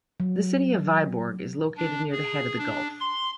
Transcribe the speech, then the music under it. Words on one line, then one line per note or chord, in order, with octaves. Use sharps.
The city of Vyborg is located near the head of the gulf.
F#3
D4
G#4
D4
C6